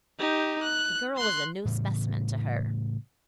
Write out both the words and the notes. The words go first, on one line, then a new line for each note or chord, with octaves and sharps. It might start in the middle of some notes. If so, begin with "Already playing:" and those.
The girl was a new specimen to her.
D#4 G4
F#6
C6 F#6
A2 C#3 E3 G3